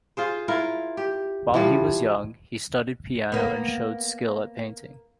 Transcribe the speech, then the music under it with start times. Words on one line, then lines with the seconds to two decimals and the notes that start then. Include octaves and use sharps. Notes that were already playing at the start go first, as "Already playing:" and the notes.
While he was young, he studied piano and showed skill at painting.
0.17 F4 G#4 C5
0.48 E4 F4 A#4
0.97 G4
1.54 E3 F3 G3
3.32 A#3 B3